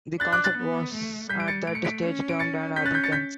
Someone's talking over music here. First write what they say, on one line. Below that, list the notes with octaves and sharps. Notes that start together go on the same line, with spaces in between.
The concept was at that stage termed an Urban Fence.
D4 F#6 A6
D6 F#6
F#6 A6
B3
A3
G3 G6 B6
D7
A6 C#7
A3 D7
C#7
B6 D7
C#4
D7
A6 C#7
C#4 G6 B6
F#6 A6
G6 B6
A6 C#7
G6 B6